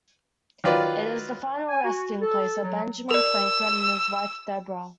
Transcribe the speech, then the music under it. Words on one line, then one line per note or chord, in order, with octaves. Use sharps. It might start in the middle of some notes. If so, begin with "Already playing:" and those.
It is the final resting place of Benjamin Franklin and his wife, Deborah.
D#3 F#3 F4 B4 D5
G#5
F#4
A4
F#3
A#4 D5 E6